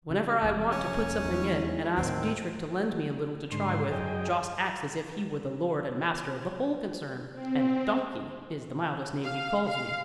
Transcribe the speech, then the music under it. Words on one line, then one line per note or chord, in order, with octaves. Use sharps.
Whenever I want to put something in, and ask Dietrich to lend me a little to try with, Jost acts as if he were the lord and master of the whole concern, and 'donkey' is the mildest name he calls me.
C#3
F1 F2
C#4
E2 G#3 D#4 E4
D#2 A2 D#3 C4
G#2 D3 C6
F#2 G#4 D#5 G5
C4
F5
F5